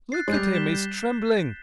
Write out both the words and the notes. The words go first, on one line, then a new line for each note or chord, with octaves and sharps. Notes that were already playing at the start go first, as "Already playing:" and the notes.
Look at him, he's trembling!
F#6 A6 C7
G#3
G3 G6
B6 E7 G7
G6